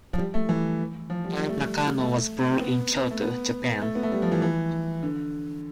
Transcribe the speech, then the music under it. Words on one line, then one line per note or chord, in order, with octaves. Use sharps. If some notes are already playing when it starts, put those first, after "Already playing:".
Junya Nakano was born in Kyoto, Japan.
F3
G3
A3
E3
F3
G3
G3
A3
G3
A3
C4
B3
A3
B3
A3
B3
A3
G3
F3
E3
E3
D3